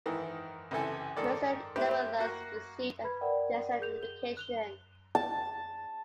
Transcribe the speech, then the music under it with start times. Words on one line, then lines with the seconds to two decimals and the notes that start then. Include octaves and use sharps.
Mercier nevertheless received a decent education.
0.06 G#2 D#3 E3
0.71 C#2 C3 E3 A4 G#5
1.17 G#2 D#3 A4 D5
1.76 A3 E4 G4 B4 C5 G5
2.18 A#3 F#4
3.04 B4 B5 G#6
3.21 A#4 D5 E5 F#5 G5
3.80 G#4 A#4 G6 F7
4.03 G7
4.37 F#6 F7 G7
5.15 A5